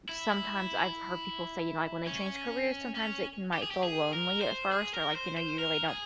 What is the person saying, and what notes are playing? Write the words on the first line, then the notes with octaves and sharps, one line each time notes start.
sometimes I've heard people say, you know, like, when they change careers, sometimes it can might feel lonely at first or, like, you know, you really don't
E4
C#4
C#4
G4
G#4
G4
G#4
A#4
C5
G#4
A#4
C5
C5
A#4
G#4